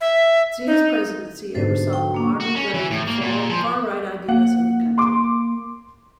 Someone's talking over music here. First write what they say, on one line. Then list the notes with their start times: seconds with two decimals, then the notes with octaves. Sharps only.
Zia's presidency oversaw the modern growth of far-right ideas in the country.
0.01 E5
0.67 D#4
1.55 G#2 B2 D3 A4 C5
1.93 G5
2.14 A#3 D4
2.40 F#4
2.56 C#4
2.74 E3
2.91 A2
3.07 A#3
3.21 A#2
3.50 F3
4.29 A#3 F#5
4.98 C6 D6